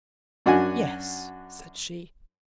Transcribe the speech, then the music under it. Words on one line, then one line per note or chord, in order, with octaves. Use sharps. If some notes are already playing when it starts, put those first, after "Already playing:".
"Yes," said she.
F#2 D4 F#4 F#5 G#5